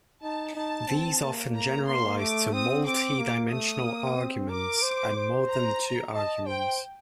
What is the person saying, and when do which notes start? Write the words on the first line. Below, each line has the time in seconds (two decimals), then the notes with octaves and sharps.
These often generalize to multi-dimensional arguments, and more than two arguments.
0.23 D#4 A5
0.55 D#4 A5
0.88 C4
1.22 A#3
1.55 A#5
1.87 A#3 C6
2.20 A3 D6
2.53 C4 D#6
2.85 C4 D6
3.19 A#3
3.51 A3 D#6
3.84 A#3
4.16 C4
4.49 A#4 D6
4.82 C5
5.16 C5
5.49 A#5
6.14 D#5 A5
6.47 C5 G5